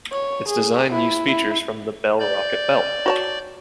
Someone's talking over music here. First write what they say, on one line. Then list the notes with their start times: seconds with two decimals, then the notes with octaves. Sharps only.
Its design used features from the Bell Rocket Belt.
0.12 C#5
0.49 G#4
0.91 E4
1.29 E4
2.20 D5 G6
3.06 F#4 C#5 A5